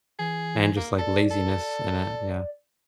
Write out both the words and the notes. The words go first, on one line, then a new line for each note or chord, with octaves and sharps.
and just like laziness in it, yeah.
E3 G#4
A#3
A4 D5
A4